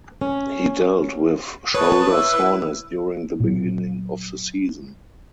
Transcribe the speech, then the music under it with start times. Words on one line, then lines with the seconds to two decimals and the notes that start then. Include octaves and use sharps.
He dealt with shoulder soreness during the beginning of the season.
0.21 C#4
1.74 B4 C#5 A5 C#6 D#6
2.10 E4 E6
3.40 A#2 F#3